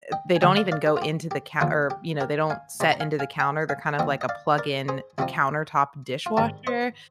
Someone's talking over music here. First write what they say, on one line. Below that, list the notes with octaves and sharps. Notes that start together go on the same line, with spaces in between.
eh, they don't even go into the ca or, you know, they don't set into the counter. They're kind of like a plug in countertop dishwasher.
D#5 G5
G#5
D2 D3 G#3 D#5 G5
D5 F5
D5 F5
G4
F4
G4
G4
D#2 D3 F3 F4 G#4
G4
G4 A#4
F5 G#5
C2 C3 G3 C4
A#5
F5 G#5
F5 G#5
G5 A#5
F5 G#5
D#2 D3 F3 C4 D#5 G5
D#5
D5 F5
A#4 D5
G#4 C5
C2 C3 F3 C4 D#4 G4
F4
G#2 D#3 G3 C4 D#4 G4
C5 D#5